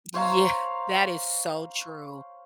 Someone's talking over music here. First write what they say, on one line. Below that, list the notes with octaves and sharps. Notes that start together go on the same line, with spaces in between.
Yeah, that is so true,
C5 C#5 F5 A#5